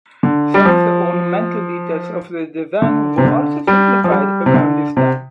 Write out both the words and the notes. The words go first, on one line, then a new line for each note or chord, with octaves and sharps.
Some of the ornamental details of the design were also simplified around this time.
D3
G3
F3
D3
C3
D3
G3
F3
G3
C3
D3
C3